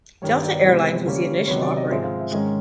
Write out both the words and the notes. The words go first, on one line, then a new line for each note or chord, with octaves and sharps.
Delta Air Lines was the initial operator.
G2 D#3 G3 B3 C#5
D5
C3 E3 G#3 B3 C5
D3 G3 A#3 C#4
C3 D#3 F#3 B3 C#5
D5
D#5
G#2 F3 G#3 C4 E5
F5
E5
G#2 D#3 G#3 C#4 D#5